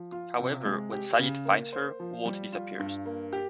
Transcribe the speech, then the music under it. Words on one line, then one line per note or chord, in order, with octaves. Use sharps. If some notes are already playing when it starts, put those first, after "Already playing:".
However, when Sayid finds her, Walt disappears.
Already playing: F3
F4
C3
G#3
G4
C#3
A#3
C5
F3
G3
F4
G2
A#3
G4